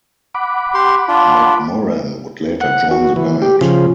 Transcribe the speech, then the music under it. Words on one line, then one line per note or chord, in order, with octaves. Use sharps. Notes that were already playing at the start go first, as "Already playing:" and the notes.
McMorran would later join the band.
F#5 B5 D6
G4 C6
D4 F4
F#5
F#4
E3
G4
C#3 F3